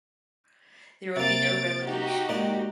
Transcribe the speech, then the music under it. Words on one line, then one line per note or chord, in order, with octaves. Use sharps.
There will be no relegation.
C3 A#3 A6 D7
D#4 F#4 G4
A#2 G#3 D5